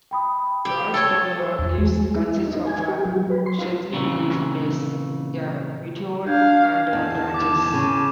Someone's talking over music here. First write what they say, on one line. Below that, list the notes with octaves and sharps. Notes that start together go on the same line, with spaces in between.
"Roystonea" leaves consist of a sheathing leaf base, a petiole, and a rachis.
G5 B5 D#6
G4
A4 C#5 A6 G7
C5
E2
G#3
G#3
E4
D#4
G#5
G4
F#3
B4
C6
F4
F2 A#2 C#3 E3
D4 F5 G6 G#6
E2 A5
D6 E7
C#3